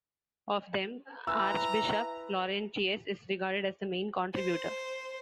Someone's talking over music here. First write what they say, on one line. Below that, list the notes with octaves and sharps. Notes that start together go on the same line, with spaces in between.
Of them, Archbishop Laurentius is regarded as the main contributor.
E3 B4 A#5 E6
C5